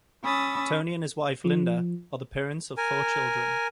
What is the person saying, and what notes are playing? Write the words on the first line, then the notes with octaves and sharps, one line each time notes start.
Tony and his wife, Linda, are the parents of four children.
C#4 B5 D#6 E6 A6
F3
A#4 G#5